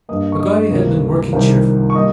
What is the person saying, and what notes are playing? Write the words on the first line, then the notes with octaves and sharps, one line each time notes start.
Peggotty had been working cheerfully.
G2 G3 A#3 D#5 D#6
C#6
D#5 D#6
C#2 C3 G3 A#3
C2 C3 D#3 G3
C#6
G3 A#3 D#5 D#6